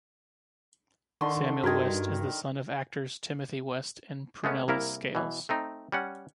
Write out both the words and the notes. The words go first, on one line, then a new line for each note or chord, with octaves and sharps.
Samuel West is the son of actors Timothy West and Prunella Scales.
D3 D#3 C6 C#6
G2 D#3 F#4 A#4 G#6
G#3 A3 B3 C#4
C2 A#3 E4 A#4
B2 E3
A3 C4 D#4
G3 C#4 F#5